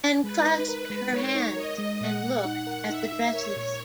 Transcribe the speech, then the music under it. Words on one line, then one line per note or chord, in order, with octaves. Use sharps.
Anne clasped her hands and looked at the dresses.
G#3 B4
D#4
A#4 B4
G#3
G#3 C#5
D#4
A#4 D#5
G#3
A#2 F#5
G#3
D#4
A#4
D#4 E5
D#4
A#4 C#5
A#2